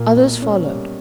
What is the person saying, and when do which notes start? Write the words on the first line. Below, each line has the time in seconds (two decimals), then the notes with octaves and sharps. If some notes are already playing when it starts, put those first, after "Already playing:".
Others followed.
Already playing: A#2 A#3
0.16 B1
0.42 C#4
0.65 G3